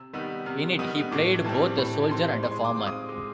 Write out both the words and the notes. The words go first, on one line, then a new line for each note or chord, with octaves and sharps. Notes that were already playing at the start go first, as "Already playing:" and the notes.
In it, he played both a soldier and a farmer.
Already playing: C3 E6
D#3 G3 B3 D#4 E6
C3 F6
D#3 G3 B3 D#4 D#6
A2 D6
E3 G3 C4 A5
A2 B5
E3 G3 C4 C6
G#3 C6
D6
C4 F4
D#6
G#3